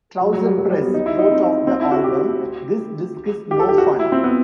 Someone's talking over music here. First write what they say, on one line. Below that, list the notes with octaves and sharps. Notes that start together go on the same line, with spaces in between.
"Trouser Press" wrote of the album: "This disc is no fun".
F#3
F#3
G3
F#3
G3
B3
D#4
E4
D#4
C4
C4
E4
F#4
G4
G4
A4
G4
F#4
E4
C4
B3